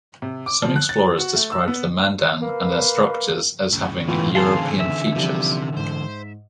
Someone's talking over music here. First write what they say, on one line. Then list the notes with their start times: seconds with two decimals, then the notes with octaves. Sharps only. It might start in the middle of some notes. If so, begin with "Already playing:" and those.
Some explorers described the Mandan and their structures as having "European" features.
0.22 C3
0.46 D6
0.62 F3
0.76 F#6
0.89 A6
1.19 F#4
1.35 A3
1.52 E6
1.68 B3
2.42 A#3 B4
3.73 G1 A2 C#3
4.08 G#2 B2 E3 A3 F4 F#5 G5
4.35 D3 E3 C4 G#4 F5 G#5 A5 C6
4.80 E5
5.16 C3 F3 G3
5.76 G#2 C5